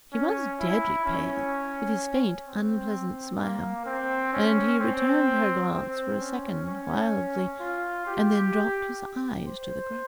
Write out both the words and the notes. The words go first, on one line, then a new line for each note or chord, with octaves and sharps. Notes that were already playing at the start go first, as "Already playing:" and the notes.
He was deadly pale, with his faint unpleasant smile; and he returned her glance for a second wildly, and then dropped his eyes to the ground.
C#4
E4
C#4
C4
A#3
C4
C#4
C4
C4
C#4
C#4
F4
G4
C5